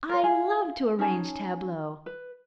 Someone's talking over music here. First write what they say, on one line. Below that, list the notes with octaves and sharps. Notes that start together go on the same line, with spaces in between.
I love to arrange tableaux.
A#4 C#5
E4 F4 G#4 F5
C#4 D#4 G#4 A5
B4